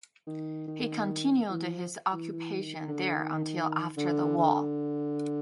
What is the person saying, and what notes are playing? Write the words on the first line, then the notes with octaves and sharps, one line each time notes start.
He continued his occupation there until after the war.
D#3
D#3
E3
F3
E3
E3
D#3
D3
D#3
D3
D3